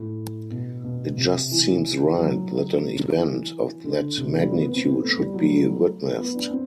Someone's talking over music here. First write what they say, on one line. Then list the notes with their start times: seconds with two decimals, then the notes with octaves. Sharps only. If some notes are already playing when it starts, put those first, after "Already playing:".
It just seems right that an event of that magnitude should be witnessed.
Already playing: A2
0.51 B2
0.84 B2
1.18 C3
1.51 E3
2.18 F#3
3.17 E3
3.84 D3
4.17 C3
4.29 A3
4.40 G3
4.51 B3
4.62 B3
4.73 C4
4.84 B3
5.00 A3
5.17 G3
5.34 F#3
5.51 A3
6.18 B3
6.34 D4
6.51 C4